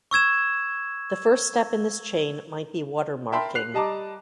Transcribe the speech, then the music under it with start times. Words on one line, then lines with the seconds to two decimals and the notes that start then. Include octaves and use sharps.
The first step in this chain might be watermarking.
0.11 C#6 E6 G#6 E7
3.32 A#4 E5 G5 A5 B5 C6
3.55 F#6 C7 F7
3.74 G3 D#5 A5 A#5 D6